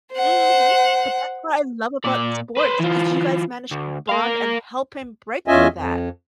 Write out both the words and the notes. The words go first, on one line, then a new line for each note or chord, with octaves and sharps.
Mhm, but that's what I love about sports 'cause you guys managed to bond and help him break through that.
C5 F#5
A#2 D5
B4 C5
E3 F4
D2
A#4 F5
E2 C#4 F4 D#5 E5 G#5
F2